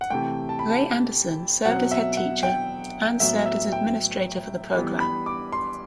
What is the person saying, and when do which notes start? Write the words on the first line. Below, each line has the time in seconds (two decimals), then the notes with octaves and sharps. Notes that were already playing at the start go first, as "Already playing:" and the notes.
Ray Anderson served as Head Teacher and served as administrator for the program.
0.01 F#5
0.10 C3 E3 A3 G5
0.49 A5
0.59 B5
0.70 A5
1.65 B2 F#3 C4 F#5
1.91 E5
2.17 F#5
2.43 G5
3.20 A2 F#3 B3 E5
3.46 E5
3.72 G5
4.75 E3 G3 B3
5.00 B5
5.26 D6
5.52 C6